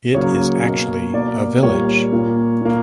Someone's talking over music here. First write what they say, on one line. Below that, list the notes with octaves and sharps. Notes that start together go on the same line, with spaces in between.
It is actually a village.
C#3 F#3 A#3 C#5
B2 A#3
B2 A#3 D5
A#2 G3 A#3 C#5
A#2 A#3
A#2 A#3